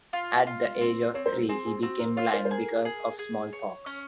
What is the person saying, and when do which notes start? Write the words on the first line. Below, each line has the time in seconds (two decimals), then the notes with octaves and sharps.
At the age of three he became blind because of smallpox.
0.13 F4
0.47 F4
0.81 C4
1.14 C4 C#5
1.26 C5
1.32 A#4
1.49 C4 G#4
1.66 G#4
1.83 C4 F#4
1.99 A#4
2.17 F4 C#5
2.33 C5
2.45 C5
2.50 G#4 A#4
2.85 G#4
3.19 G#4
3.53 C#5
3.86 C#4